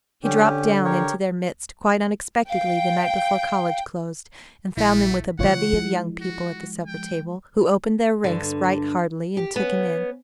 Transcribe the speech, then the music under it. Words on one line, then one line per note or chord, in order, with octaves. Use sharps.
He dropped down into their midst quite unexpectedly the night before college closed, and found them with a bevy of young people at the supper-table, who opened their ranks right heartily, and took him in.
D3 C#4 G4
G4 A#4 C#5
F5 G5
A#1 A3 E4 B6
C#3 E3 A3 F4 C#5 F#5
F3 G#3 E4
F#4
G5
G2 D3
G4
B3 C#4